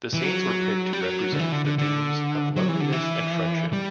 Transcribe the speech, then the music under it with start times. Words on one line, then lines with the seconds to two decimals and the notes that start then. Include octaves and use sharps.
The scenes were picked to represent the themes of loneliness and friendship.
0.14 E3
0.23 F#3
0.93 G3
1.01 F#3
1.33 D3
1.39 E3
1.52 D3
1.65 D3
1.78 D3
2.56 F#3
2.69 E3
2.80 D3
2.92 E3
3.73 G3